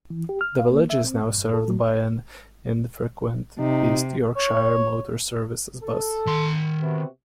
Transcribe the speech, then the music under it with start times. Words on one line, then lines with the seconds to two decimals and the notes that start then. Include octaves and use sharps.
The village is now served by an infrequent East Yorkshire Motor Services bus.
0.10 E3
0.29 G4
0.41 F6
0.59 F5
0.71 A#3
0.90 E5
1.04 C4
1.22 G#2
1.38 G2
1.54 A4
1.68 F#3
3.59 C3 D#4
4.36 C#5
5.81 A4
6.26 D#3 C6
6.82 C3 B3 F#4